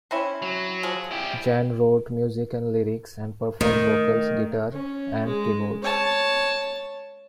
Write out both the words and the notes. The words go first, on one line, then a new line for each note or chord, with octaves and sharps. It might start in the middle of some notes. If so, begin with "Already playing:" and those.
Jan wrote music and lyrics and performed vocals, guitar and keyboards.
C4 C#4 E4
F#3
F3 G#4
E4 G4
D#3 A3
C#4
G#3
C#5 A5